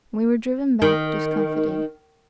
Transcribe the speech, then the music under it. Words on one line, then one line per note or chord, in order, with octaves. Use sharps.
We were driven back discomforted.
D#3